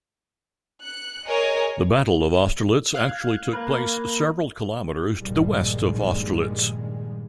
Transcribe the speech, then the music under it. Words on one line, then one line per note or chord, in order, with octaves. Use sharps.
The battle of Austerlitz actually took place several kilometers to the west of Austerlitz.
F#6 C#7
G#4 A#4 C#5 D#5 G#5
F5 F#6 G#6
A#3 B4
A#1 G2 A#2 D#3 G3 G#3